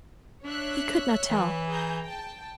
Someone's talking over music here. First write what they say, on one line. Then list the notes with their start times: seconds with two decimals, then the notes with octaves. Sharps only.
He could not tell.
0.44 D4 C#5 E5 F#6
1.30 E3
1.68 G#4 A#5 G6
2.03 G5 A5